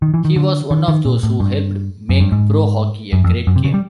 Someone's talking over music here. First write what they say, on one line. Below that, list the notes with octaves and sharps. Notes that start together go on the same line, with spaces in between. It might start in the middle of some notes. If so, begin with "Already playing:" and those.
He was one of those who helped make pro hockey a great game.
D#3
E3
D#3
D3
D#3
D#3
A#2
A2
G2
F#2
G2
G#2
F#2
F2
F#2
C3
C#3
G3